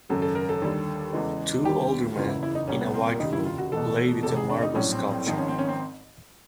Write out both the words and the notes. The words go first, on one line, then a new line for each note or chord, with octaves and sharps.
Two older men, in a white room, play with a marble sculpture.
G#1 F#2 C#3 F#3 A4
A4
A#4
A4
D#2 D3 G3
E2 C#3 E3 G#3
D#2 D3 G3 G4
F#1 E2 C#3 E3 F4
E4
E4
D#4
C2 A#2 G3 C#4
B3
C4
A#3
F1 D#2 C#3 D#4
E4
F4
F#4
E1 E2 B2 A4
F1 E2 C3 A4
G#4
D4
D#4
A#1 A2 F#3 C#4
C4
C4
G#1 G#2 F3 C4
C#4
C4
C#4
C4